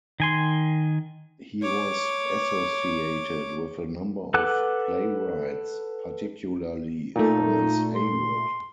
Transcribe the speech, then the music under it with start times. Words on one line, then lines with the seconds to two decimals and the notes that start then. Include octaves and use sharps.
He was associated with a number of playwrights, particularly Thomas Heywood.
0.20 D#3 G#5 C6
1.62 C#5 D6
4.34 A4 B4 F#5 D6 F#6
7.16 A#2 A3 D#4
7.95 C6